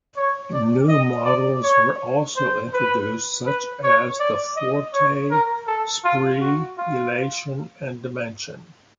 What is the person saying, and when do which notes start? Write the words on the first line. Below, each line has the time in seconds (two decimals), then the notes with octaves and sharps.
New models were also introduced, such as the Forte, Spree, Elation and Dimension.
0.16 C#5
0.53 D5
0.88 D#5
1.25 D5
1.63 C#5
2.36 C5
2.73 B4
3.46 B4
3.84 C#5
4.20 D5
4.56 D#5
4.94 C#5
5.31 A#4
5.67 A4
6.04 F4
6.41 F#4
6.78 F4